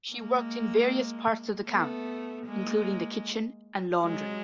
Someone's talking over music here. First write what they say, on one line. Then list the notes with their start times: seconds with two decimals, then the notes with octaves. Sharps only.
She worked in various parts of the camp, including the kitchen and laundry.
0.11 G#3 A#3
1.68 A3 B3
2.46 G#3 A#3
4.02 F#3 G#3